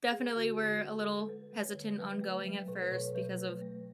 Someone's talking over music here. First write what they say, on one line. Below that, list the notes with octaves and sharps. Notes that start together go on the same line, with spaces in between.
definitely were a little hesitant ongoing at first because of
G#3 G#4
D3 F#4
D3 G#4
D3
A4
G#3
A4
G#3 B4
G#3
C#5
D3
F#3 B4
A3
F#3
B2 B4
B4
B2 C#5
F#3 B4
A3
A3